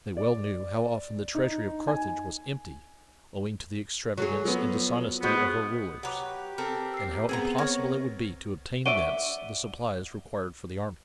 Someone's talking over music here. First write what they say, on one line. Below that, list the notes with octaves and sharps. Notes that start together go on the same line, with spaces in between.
They well knew how often the treasury of Carthage was empty owing to the extravagance and dishonesty of her rulers, and how impossible it would be to obtain thence the supplies required for the army.
D5
D#4
G#5
F#3 A3 G#4
F3 F#3 B3
G#3 B3 F#4 C5 G6
F#3 G4 B4 F#5 A#5 D6
C4 A4 A#4
E6 C7
B3 C4 G#4 A#4 C5 A#5
A#4 C#5 C#6 G#6 A#6
F#4 D5 E5 D7 D#7 G7